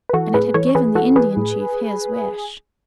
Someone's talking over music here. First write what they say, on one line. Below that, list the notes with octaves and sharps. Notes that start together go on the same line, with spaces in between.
And it had given the Indian chief his wish.
B4
E3 F#4 A4
A2 G#4 B4
E3 A4 C#5
E3 G#4 B4
E3 F#4 A4
E3 G#4 B4
A2